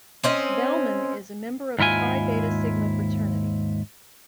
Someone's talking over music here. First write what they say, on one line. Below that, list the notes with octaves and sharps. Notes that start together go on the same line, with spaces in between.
Valmon is a member of the Phi Beta Sigma fraternity.
C4 C#4 D#5
D#2 G#2 E4 F4 G#5